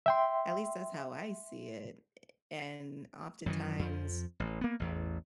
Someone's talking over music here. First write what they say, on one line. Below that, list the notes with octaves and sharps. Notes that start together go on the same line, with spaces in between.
At least that's how I see it, a and oftentimes
E5 G5 C6
F#2 D#3 E3
F2 F3
A1
A#3 B3
A1 E2